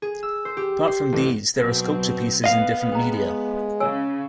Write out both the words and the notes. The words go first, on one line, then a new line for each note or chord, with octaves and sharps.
Apart from these there are sculpture pieces in different media.
G#4
E6
C5
G4
C5
A1
B2 F#3 C4
B3 D#5 F5
G#3 G5 A#5
C#3 C#5 G#5 E6